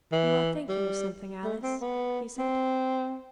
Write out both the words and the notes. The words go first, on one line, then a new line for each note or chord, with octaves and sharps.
"You are thinking of something, Alice," he said.
E3
G3
A3
C4
B3
C4